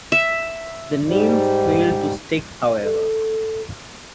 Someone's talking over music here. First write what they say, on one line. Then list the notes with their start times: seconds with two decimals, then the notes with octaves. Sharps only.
The name failed to stick, however.
0.12 E5
1.08 G#2 G3
2.83 A4